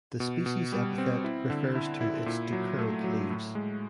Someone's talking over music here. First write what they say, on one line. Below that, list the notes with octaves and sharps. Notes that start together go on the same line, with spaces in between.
The species epithet refers to its decurrent leaves.
B2
B2
G3
C4
E4
D3
E4
E4
A#2
F#3
A3
F#3
A2
G#3